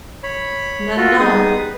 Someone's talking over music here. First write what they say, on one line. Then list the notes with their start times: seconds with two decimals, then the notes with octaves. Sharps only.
"None at all."
0.23 C#5 B5
0.97 F4 F#4 A4
1.19 G3 G#3 B3 D#4 G#4 D#6
1.57 B4